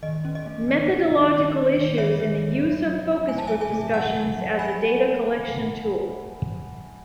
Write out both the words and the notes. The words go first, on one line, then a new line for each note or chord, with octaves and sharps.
Methodological Issues in the Use of Focus Group Discussions as a Data Collection Tool.
D#3 D#5
C#4
D#5
A3
D#3
D#3
D#3
C#4
C#4
D#3
D#3 C#5 E5
D#3
D#3
F#3
F#3
F#3
A3 G#5
A5
F#3 E5 G#5
E5 G#5
A3
F#3 F#5 A5
F#3
F#3
F#3 G#5 B5